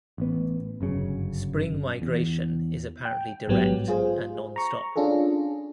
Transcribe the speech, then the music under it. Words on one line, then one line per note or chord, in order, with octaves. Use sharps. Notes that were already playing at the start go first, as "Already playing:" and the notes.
Spring migration is apparently direct and non-stop.
A1 B3
G1 F#2 C#3
E2
G5
A1 G#2 F#3 B3 G4
F4 G#4 C5
A#5 C#6
C#4 D4 F4 G#4 A4